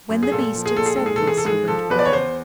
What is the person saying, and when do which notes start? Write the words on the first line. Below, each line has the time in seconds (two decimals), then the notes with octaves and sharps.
When the beast had said this, he went away.
0.10 F#2
0.23 G#4
0.32 A#2 A4
0.55 F3
0.66 G#4
0.77 A#2 A4
0.86 G#4
0.96 G#2 A4
1.06 G#4
1.16 A4
1.22 E3
1.27 G#4
1.37 A4
1.45 G#2 G#4
1.68 F3 A4
1.90 E2 B4
1.99 D5
2.05 C#5
2.12 E2 C5